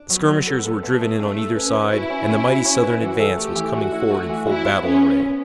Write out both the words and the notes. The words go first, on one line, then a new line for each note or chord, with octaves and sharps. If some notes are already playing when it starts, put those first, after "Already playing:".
The skirmishers were driven in on either side and the mighty Southern advance was coming forward in full battle array.
Already playing: D4
F#3 B3
F#3
A4
A4
A3 B3
A4
A3 D4
A4
C#4 B4
B4
E4 F#4
C#4
C#4
F#4
C#4
B4
E3 F#4
A4
A3 G4
E3
A3 F#4
E4
A3
E3
E4 F#4
B3
B3 C#4
B3
B3